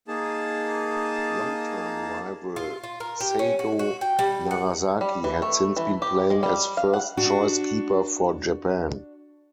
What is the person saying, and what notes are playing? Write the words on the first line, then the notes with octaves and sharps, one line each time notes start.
Long-time rival Seigo Narazaki had since been playing as first-choice keeper for Japan.
A#3 D#4 G#4 A5
F4
F4
A#4
G4
C#4
F#4
F#4
G5
G3
F#5
G3
E3
A3
E3
G4
G#3
G3
F5
F#5
D4 F#4